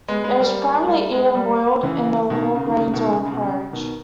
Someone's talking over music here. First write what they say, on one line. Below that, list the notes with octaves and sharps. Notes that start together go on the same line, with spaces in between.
It is primarily eaten boiled in whole grains or in porridge.
G#3 B3
G#3 B3
G3 A#3
G3 A#3
G#3 B3
G3 A#3
C#3 E3
B2 D#3
C#3
D#3
C#3
B2 D#3
C#3
C#3
B2
C#3
B2 D#3